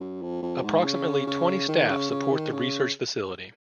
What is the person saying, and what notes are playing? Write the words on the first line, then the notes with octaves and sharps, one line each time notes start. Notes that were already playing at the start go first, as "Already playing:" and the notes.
Approximately twenty staff support the research facility.
F#2
F2
F2
G#2
C#3
C#3
D#3
C#3
C#3
D#3
C#3